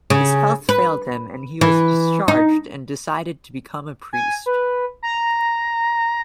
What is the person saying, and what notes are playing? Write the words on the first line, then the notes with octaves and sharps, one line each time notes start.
His health failed him and he was discharged and decided to become a priest.
C#3
B4
E3
D#4
G#5
B4
A#5